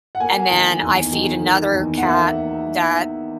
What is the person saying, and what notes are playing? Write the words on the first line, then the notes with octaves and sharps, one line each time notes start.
And then, I feed another cat that
F#5
A#3 G#5
D#3
E2
D#3
A#3
E2
F#5
A#3 E5